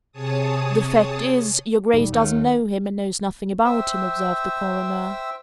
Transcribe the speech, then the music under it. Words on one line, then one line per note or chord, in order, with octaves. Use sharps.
"The fact is, your Grace doesn't know him and knows nothing about him," observed the Coroner.
C3 G#4 C#5 A5 D#6
E1 G3 D#4
D#2 G#2 D#3 A3 C#4
C5 E5 G5 E6